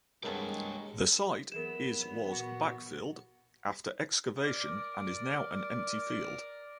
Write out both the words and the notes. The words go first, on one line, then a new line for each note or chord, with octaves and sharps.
The site is was backfilled after excavation and is now an empty field.
C2 G2 G#3 B3 G4 A#4 C#5 A5
E3 F#3 B3 G#4 A#4 E7
A#2 F#4
A#4 D5